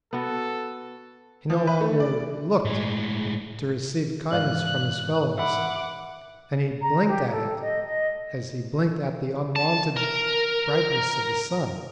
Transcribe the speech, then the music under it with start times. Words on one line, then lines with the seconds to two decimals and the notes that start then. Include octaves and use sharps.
He no longer looked to receive kindness from his fellows, and he blinked at it as he blinked at the unwonted brightness of the sun.
0.13 B3 F#4 A4
1.50 F3
1.67 B4
1.81 A3
2.00 D5
2.65 A2 G#3
4.32 G#2 E3 D5 F5 F#6
5.38 E5 F#5 B5 D6
6.82 A#5
7.08 G4
7.31 A4
7.61 D#5
7.85 D#5
9.56 A5
9.97 A#4